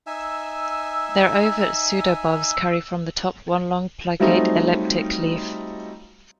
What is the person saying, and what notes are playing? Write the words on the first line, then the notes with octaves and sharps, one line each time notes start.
Their ovate pseudobulbs carry from the top one long, plicate, elliptic leaf.
D#4 E5 G#5 E6
F#3 G3 A3 C4 D#4 F4